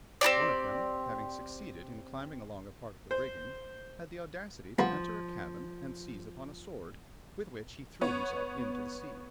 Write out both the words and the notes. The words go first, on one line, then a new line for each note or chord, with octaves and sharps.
One of them, having succeeded in climbing along a part of the rigging, had the audacity to enter a cabin and seize upon a sword, with which he threw himself into the sea.
C4 F4 G4 D5
C5
F3 G3 A#3 B3
B3 C#5